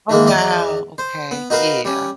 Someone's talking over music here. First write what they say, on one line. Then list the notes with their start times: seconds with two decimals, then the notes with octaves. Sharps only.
Oh, wow. Okay. Yeah.
0.10 D#3 E3 G#3 A#3
0.27 E2 D5 D#5 A#5
0.98 C5
1.31 B3
1.50 D#4 F#4 A#4 B4 F5
1.85 G3 C#4